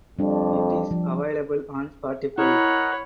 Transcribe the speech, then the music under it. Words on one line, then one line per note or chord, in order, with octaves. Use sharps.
It is available on Spotify.
F2 G3 D4
F3
E4 A#4 C#5 D#5 F#5 A#5 B5